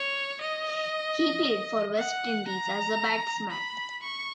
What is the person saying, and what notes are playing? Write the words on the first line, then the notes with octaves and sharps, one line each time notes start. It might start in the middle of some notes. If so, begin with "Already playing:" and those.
He played for West Indies as a batsman.
Already playing: C#5
D#5
F#5
A#5
B5
C#6